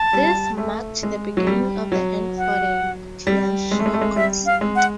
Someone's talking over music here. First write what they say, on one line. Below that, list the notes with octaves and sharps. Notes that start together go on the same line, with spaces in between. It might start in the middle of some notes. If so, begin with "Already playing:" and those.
This marked the beginning of the end for the "tianxia" concept.
Already playing: A5
G3
A3
G#3
F#3
G3
F#3
F#5
G3
G#3
A3
G#3
A3
G#3
G3 E5
F5
G#3
F#5